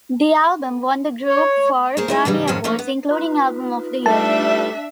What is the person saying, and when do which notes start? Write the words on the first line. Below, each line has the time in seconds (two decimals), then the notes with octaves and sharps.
The album won the group four Grammy Awards, including Album of the Year.
1.27 C#5
1.97 A#3 G#4 A#4 C5 C#5
2.08 G#3 D#4 E4
2.25 G#2 C#3 E3 G3
2.48 F2 G#2 D#3 C#4 A5
2.64 F3 A3 A#3 C#4 D#4
2.79 B3
3.11 D#4 F4 B4
4.06 G3 A3 D4 E5 A5